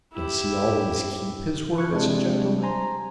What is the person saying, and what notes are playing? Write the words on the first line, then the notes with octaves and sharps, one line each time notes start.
"Does he always keep his word as a gentleman?"
E4 G4
B5 C#6 F#6 G#6
C3 G#3 D4
C5 G#5 A#5 C6